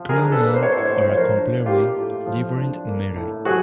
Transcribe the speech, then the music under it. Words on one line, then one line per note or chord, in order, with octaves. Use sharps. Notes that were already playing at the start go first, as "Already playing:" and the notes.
Crewmen are a completely different matter.
Already playing: F3
G#4 A#4
D4
A4 B4
A#3
C5
C#5
C5
A2 C#5
C5
C#5
C5
F3 C#5
A#4 C5
D4
A#3 F4 G4
A2
F3
D4
A#3
A2
F#3 F#4 G#4